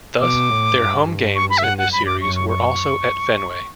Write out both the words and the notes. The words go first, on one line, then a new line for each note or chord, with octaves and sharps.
Thus their home games in this Series were also at Fenway.
B2 D6
A2
G2
C#6
B5
E5
F#5
F#5
F#2 B5
D6
F#2 C#6
C#6
C#6